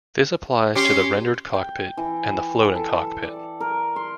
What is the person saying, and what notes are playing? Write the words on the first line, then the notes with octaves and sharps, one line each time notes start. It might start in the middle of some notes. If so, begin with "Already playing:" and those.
This applies to the rendered cockpit and the floating cockpit.
C#4 G4 C6
G5
E3
A4
D5
A#4
C6